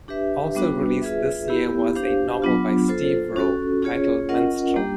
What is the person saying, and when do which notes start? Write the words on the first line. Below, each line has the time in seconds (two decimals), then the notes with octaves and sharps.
Also released this year was a novel by Steve Rowe titled Minstrel.
0.08 D4 G4 B4 E5
0.55 G3 B3 D4 F#4 B4
1.01 F4 G#4 B4 E5
1.48 B3 E4 G4
1.95 D4 G4 C5 F5
2.42 F#3 B3 D4 F4
2.88 F4 A4 C5
3.36 C#4 F#4 A4
3.82 C#4 F4 G#4 C#5
4.29 C#4 F4 A#4 D#5 F#5
4.76 G3 A#3 D4 G4